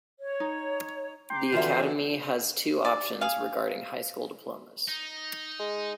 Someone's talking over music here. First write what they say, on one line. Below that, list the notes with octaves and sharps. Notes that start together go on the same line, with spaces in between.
The Academy has two options regarding high school diplomas.
C#5
D#4
G5 A#5 C6 D6
B2 D3 E3 F4 E5
D5
G#4 F5
D#4
G#3